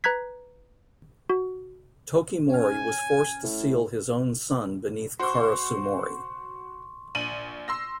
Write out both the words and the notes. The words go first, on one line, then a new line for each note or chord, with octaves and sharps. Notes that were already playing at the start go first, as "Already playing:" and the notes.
Tokimori was forced to seal his own son beneath Karasumori.
B4 A#5 F#6 G#6 B6
F#4
C#4 G#5 F6
A2
F#4 C5 C6 C#6
A#1 D#7 F#7
C6 E6 A#6